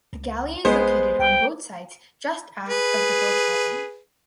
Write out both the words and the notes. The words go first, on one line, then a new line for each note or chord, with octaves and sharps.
The galley is located on both sides just aft of the bow cabin.
C#2
A#1 G#3 B3 C5
C2 G5
G#4 B4